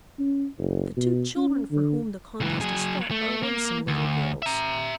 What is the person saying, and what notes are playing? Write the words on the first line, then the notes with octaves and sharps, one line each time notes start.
The two children for whom the contest is fought are winsome little girls.
C#4
F#1
B2
C#4
D3
C#2 E3
F#3 G#4
A3
A#3
D2
E5 A#5